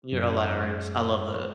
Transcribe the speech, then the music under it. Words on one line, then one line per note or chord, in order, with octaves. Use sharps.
You're hilarious. I love that.
F#2